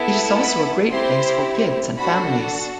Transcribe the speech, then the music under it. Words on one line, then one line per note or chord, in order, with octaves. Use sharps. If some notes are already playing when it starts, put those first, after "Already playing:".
It is also a great place for kids and families.
Already playing: B3 E4 A4
B5
C4 E4 G4 C6
D4 F#4 A4 B5